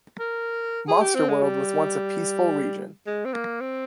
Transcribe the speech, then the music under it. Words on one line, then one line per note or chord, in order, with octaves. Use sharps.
Monster World was once a peaceful region.
A#4
G#4
G4
C4
G#3
G3
G#3
C4
A#3
C4